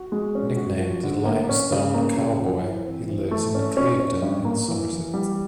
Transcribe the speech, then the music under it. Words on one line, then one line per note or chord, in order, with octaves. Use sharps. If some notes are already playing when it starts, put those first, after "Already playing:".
Nicknamed The Limestone Cowboy, he lives in Clevedon in Somerset.
Already playing: F#4
G#3
C#4
F#4
F3
D3
A#3
C#4
C#3
A#3
C#3
F3
E3
C4
E3
A3
C#4
C#4
C#4
G2
A#3
E3
E3
G3